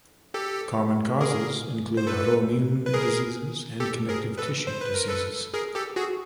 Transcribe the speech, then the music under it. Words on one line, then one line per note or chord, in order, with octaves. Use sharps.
Common causes include autoimmune diseases and connective tissue diseases.
G4 A4
G#4 A#4
C5
A4 B4
B4
G#4 A#4
G4 A4
G#4 A#4
A4 B4
C5
B4
A#4
A4 B4
G#4 A#4
G4 A4
F#4 G#4